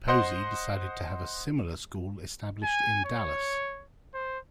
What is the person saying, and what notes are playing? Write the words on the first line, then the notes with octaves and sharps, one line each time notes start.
Posey decided to have a similar school established in Dallas.
C5 D#5 F#5 C6
G#5
C#5
C5